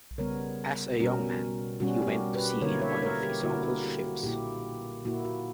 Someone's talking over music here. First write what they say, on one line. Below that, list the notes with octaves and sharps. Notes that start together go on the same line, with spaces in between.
As a young man he went to sea in one of his uncle's ships.
C#3 G3 B3 A#4 C#5
B2 G3 C#4 F#4 A#4
B2 G3 C#4 F#4
G4
F#4 A#4
G4 B4
D3 A#3 E4 A#4 C#5
C#5 E5
A#4 C#5
G4
D3 A#3 E4 F#4 A#4
F#4 A#4
G4
F#4
A#2 A#3 E4 G4
A#2 A#3 E4 F#4
F#4